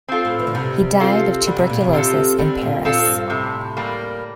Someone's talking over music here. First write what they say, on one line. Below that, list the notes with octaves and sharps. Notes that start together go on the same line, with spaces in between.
He died of tuberculosis in Paris.
C4 F4 A4
A2
E3
D3
C3 G3
C4 F4 A4
D3 G3
C3
A#2
C3
C4 F4 A4
D3 G3
A#2
C4 F4 A4
G2
A2 C3
G3 A#3